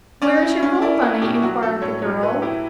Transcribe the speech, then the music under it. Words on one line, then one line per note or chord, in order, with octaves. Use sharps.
"Where is your home, bunny?" enquired the girl.
C#4 D5
E4
C#4
E4 D5
E4 A4
B2 G4
F#3 F#4
F#3 A4
A2 C#5
F#3 C#5
A2 B4
E4 G4